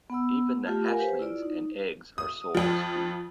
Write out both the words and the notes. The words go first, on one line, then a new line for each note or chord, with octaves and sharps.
Even the hatchlings and eggs are sold as food.
B3 F#5 B5 E6
A3 F4 G4
A#4 F5 F#5 G#5
G4 B4 C5
E4 F4 D5
D#4
D#6
F2 F3